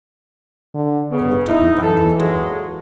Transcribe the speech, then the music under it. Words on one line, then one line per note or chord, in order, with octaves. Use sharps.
I walked up and banged on the door.
D3
C#3 B3
D#4 E4
E3 A4
A#2 F#3 G#3